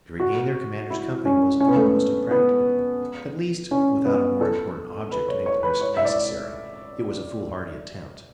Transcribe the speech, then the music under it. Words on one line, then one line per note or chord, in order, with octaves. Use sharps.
To regain their commander's company was almost impracticable; at least, without a more important object to make the risk necessary, it was a foolhardy attempt.
F#4
E4
C#4
C#4
B3
A3
B3
B3
C#4
B3
A4
B4
C#5
C#5
B4
C#5
E5
D5